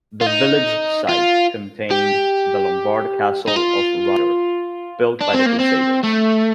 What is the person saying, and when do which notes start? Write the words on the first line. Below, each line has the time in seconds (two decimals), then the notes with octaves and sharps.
The village site contained the Lombard Castle of Roger, built by the Crusaders.
0.21 F4
0.26 D#4
1.09 F4
1.91 G4
3.48 D#4
3.56 F4
5.21 D4
5.33 C4
5.46 A#3
5.59 C4
6.03 A3